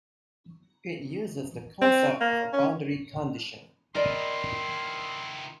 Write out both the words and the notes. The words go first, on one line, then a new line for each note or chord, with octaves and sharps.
It uses the concept of a boundary condition.
C4
A#3
C#4
D#3 E4 A#4 D5 D#5 C6